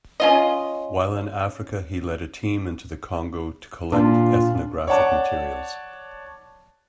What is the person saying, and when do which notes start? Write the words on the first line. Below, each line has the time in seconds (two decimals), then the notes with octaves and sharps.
While in Africa, he led a team into the Congo to collect ethnographic materials.
0.20 C#4 F4 D#5
3.92 A#2 D4 F4
4.88 C#5 D5 F#5 A5 D6